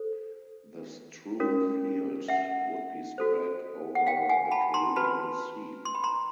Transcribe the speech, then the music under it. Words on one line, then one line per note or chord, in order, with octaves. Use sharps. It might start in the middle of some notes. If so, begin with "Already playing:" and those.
The strewn field would be spread over the Caribbean Sea.
Already playing: A4 C5
C#4 F#4 A#4 C#5
E5 F#5
F#4 A4 C5
F#5
F5 G5
F#5 G#5
A5 B5
A#5 C6
F#4 B4 A5 B5
C6
B5
A#5 C6